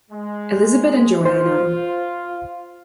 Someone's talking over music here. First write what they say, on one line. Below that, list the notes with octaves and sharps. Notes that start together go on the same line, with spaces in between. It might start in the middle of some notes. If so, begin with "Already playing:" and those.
Elisabet and Joana.
G#3
F4 C5